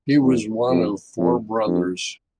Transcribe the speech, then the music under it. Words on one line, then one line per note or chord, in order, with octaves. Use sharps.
He was one of four brothers.
E2
F2
F2
F2